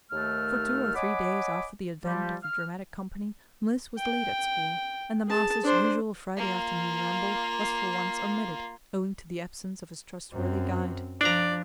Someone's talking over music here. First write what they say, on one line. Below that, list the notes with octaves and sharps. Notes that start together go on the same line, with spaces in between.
For two or three days after the advent of the dramatic company, Mliss was late at school, and the master's usual Friday afternoon ramble was for once omitted, owing to the absence of his trustworthy guide.
D#2 A3 F6
C#5 D#5 F#5 G#5 B5 D6
F3 G3
F6
G5
G#4 A5
D4 C5
A#3 F4
F#2 C4
F3 D4 D5 A#5